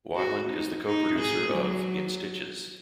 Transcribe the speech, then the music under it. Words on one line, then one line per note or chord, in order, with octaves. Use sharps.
Weiland is the co-producer of "In Stitches".
F#4
D#4
D#4
G#4
F#3